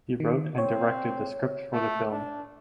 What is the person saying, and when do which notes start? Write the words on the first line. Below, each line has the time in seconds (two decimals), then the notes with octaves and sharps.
He wrote and directed the script for the film.
0.20 D#3
0.58 C4 C#5
1.73 A3
2.11 D4